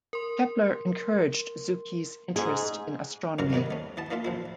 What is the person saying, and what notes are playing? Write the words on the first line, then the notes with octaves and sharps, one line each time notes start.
Kepler encouraged Zucchi's interest in astronomy.
A#4 C6
G#2 G#4
E2 G2 D3 F#3 A#4 A#5
G2 C3 D#3 B3
A3 C#4
E3 B3 A5
E3 A#3 D4 F4 E5
A1 F3 E4